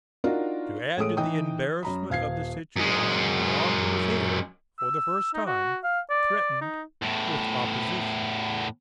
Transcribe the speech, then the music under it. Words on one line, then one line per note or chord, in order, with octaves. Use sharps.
To add to the embarrassment of the situation, the army was here, for the first time, threatened with opposition.
D4 D#4 F4 F#4 A#4
A2 G#3 A3 D#6 D7
E3 D#4 G5 D#6
F#2 A#5 B5
D#1 F5 G#6 C7
F#2 G#3
E6
D#4
F#4
F5
D5
D#4
E2 A2